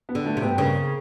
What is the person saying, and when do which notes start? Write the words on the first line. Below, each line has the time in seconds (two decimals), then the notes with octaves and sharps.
Oh, wow.
0.09 B3
0.15 D3
0.26 A3
0.37 C3
0.42 B3
0.58 C#3 A#3